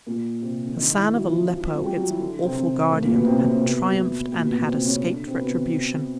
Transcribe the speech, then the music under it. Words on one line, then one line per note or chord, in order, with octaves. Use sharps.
Hassan of Aleppo, its awful guardian, had triumphed and had escaped retribution.
A#2 A#3
C3 C4
D3 D4
D#3 D#4
E3 E4
F#3 F#4
F3 F4
E3 E4
F3 F4
F3 F4
F#3 F#4
G3 G4
F#3 F#4
E3 E4
D3 D4
C3 C4
C3 C4
A2 A3
A#2 A#3
B2 B3
C3 C4
C#3 C#4
C3 C4
B2 B3
A#2 A#3
B2 B3
B2 B3
C3 C4
C#3 C#4
D3 D4
C3 C4
B2 B3